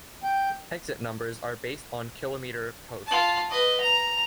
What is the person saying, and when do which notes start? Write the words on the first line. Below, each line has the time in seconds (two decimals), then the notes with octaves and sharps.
Exit numbers are based on kilometer post.
0.23 G5
3.06 F4 A5
3.50 B4 D#5
3.81 A#5